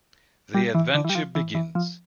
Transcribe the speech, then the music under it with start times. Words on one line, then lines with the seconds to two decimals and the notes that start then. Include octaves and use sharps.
The adventure begins.
0.55 G3
0.75 E3
0.95 D3
1.05 E3
1.10 G3
1.15 F3
1.35 E3
1.55 E3
1.75 F3